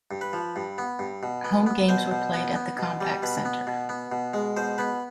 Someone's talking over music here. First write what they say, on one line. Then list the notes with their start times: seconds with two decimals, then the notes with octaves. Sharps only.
Home games were played at the Compaq Center.
0.11 G2
0.21 B4
0.33 F3
0.56 G2
0.78 B3
0.99 G2
1.23 B2
1.44 B3
1.66 B3
1.89 B2 C5
2.12 B2
2.33 B3
2.55 B3
2.79 B2
3.01 G3
3.23 B2 B4
3.45 B3
3.67 B2
3.89 B3
4.12 B2
4.34 G#3
4.57 B2 C5
4.78 B3 B4